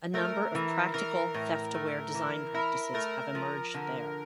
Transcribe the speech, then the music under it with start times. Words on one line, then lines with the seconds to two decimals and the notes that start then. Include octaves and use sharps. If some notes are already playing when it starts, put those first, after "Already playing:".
A number of practical theft-aware design practices have emerged there.
0.14 A3 A#4
0.55 E3
0.94 E3 A#4
1.34 A2
1.74 A3
2.14 E3
2.54 E4 A#4
2.94 A3 A#4
3.35 F3
3.74 D3